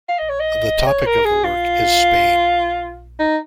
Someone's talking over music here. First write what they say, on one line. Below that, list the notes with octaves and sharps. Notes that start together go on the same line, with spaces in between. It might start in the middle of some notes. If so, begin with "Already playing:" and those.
The topic of the work is Spain.
F5
D#5
C#5
D#5
C#5
A#4
G#4
F4
D#4